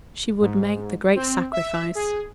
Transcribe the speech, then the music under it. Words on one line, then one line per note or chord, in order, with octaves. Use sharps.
She would make the great sacrifice.
G#2
C4
E5
G#4